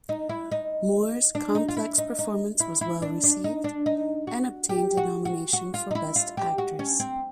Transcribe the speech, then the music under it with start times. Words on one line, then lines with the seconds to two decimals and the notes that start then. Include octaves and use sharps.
Moore's complex performance was well-received and obtained a nomination for Best Actress.
0.09 D#4
0.29 E4
0.52 D#4
1.35 D4
1.55 D#4
1.68 F4
1.77 E4
1.98 D#4
2.19 D#4
2.60 E4
2.81 E4
3.02 D4
3.24 D4
3.44 D#4
3.64 D4
3.86 D#4
4.27 F#4
4.69 G4
4.97 F#4
5.25 F#4
5.53 F#4
5.74 F4
5.91 D#4
5.95 E4
6.16 F4
6.37 G4
6.58 F#4
6.79 C#4
7.00 C4